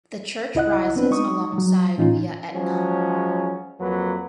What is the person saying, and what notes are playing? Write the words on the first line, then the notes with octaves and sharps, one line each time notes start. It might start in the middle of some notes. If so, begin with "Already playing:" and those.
The church rises alongside via Etna.
C#2 E4 D#5 F#5 F#6
B3 C4 D4 B4
G#3 D#4 C#6 D#6
F#3
A2 E3 C#4 D#4 F4
F3 F#3 G#3 C#4
F2 F#3 A#3 B4